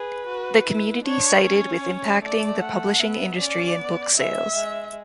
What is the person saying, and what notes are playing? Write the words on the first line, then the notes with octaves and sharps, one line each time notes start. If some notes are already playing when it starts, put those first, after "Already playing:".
The community cited with impacting the publishing industry and book sales.
Already playing: G#4 B4
F#4
E4
D4 C#5
C#4 C#5
A3 D5
F#5
B3 E5
C#4 D5
B3
G#3 E5
G#3